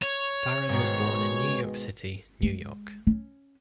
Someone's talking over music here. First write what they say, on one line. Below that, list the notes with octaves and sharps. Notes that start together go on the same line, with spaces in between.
Barron was born in New York City, New York.
C#5
G#2 B2 D#3
G#3
C#4